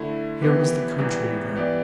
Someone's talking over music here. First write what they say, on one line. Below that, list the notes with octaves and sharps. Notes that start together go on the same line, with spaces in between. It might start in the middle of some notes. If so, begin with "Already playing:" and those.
Here was the country again.
Already playing: D3 A3 E4
E3 B3 E4 G4 B4
E2 E3 G3 B3
E3 B3 G4 D5